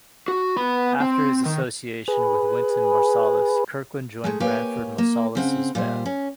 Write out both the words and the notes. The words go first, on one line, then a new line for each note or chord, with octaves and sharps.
After his association with Wynton Marsalis, Kirkland joined Branford Marsalis's band.
F#4
B3 B5
C4
D#3
G#4 B4
G#3 A3 G#4
A#3 G4 B4 C#5 G5 G#5
A#3
C#3 C4 F#5
A#2 G3 C5
C#4